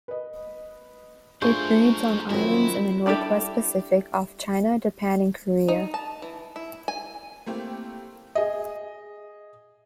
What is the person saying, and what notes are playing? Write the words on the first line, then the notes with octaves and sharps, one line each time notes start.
It breeds on islands in the northwest Pacific off China, Japan and Korea.
B4 D#5
F#3 A3 D4 F4 G#4 A#4 C5 C#6
D#3 F3 F#3 C4 C#4 E4
G3 D4 E4 G4 A4
D#4
A5
E3
E4
G#5
A3 A#3 C4 E4 G4
G#4 D#5